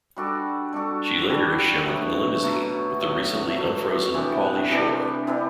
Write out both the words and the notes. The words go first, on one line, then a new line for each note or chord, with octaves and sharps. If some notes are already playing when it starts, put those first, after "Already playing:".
She later is shown in a limousine with the recently unfrozen Pauly Shore.
G3 D4 F#4 A4
G3 D4 F#4 A4
G3 D4 F#4 A4
B2 F#3 A3
B2 F#3 A3
B2 F#3 A3
B2 F#3 A3
C3 E3 B3 D4
C3 E3 B3 D4
C3 E3 B3 D4